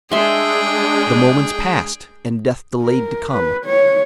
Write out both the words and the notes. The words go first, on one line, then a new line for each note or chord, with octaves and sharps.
The moments passed, and death delayed to come.
G#3 D4 G#4 E5 G5 C6
A#4
B4
C#5